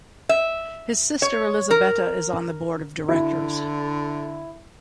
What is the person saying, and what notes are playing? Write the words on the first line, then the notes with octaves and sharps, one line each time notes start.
His sister Elisabetta is on the board of directors.
E5
C#5
A#4
D3 E4